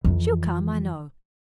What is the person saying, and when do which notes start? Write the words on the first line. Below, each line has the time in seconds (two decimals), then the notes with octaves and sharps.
She'll come, I know.
0.04 F2 E3